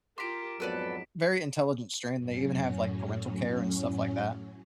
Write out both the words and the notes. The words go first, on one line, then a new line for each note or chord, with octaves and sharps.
very intelligent strain, they even have, like, parental care and stuff like that.
F4 G4 A#4 A#5 C6 D6 B6 D7
F2 G#2 F#3 B3 A4 B4 D5
F#2 A2 F#3 C#4